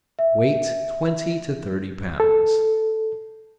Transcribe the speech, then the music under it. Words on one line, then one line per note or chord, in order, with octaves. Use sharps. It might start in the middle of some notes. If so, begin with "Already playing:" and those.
Weight twenty to thirty pounds.
E5
A4